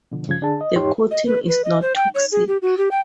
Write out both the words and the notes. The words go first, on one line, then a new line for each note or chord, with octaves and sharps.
The coating is not toxic.
B2 D3 F3
G2 C#3 F3 G#6
D3 D4 G#4 A5
D#5
E2 G#2 D#4 G4 C#5 C6
D#5
B4
B4
D#5
C5
G5
C#5
G#4
G4
F#4
G4
G5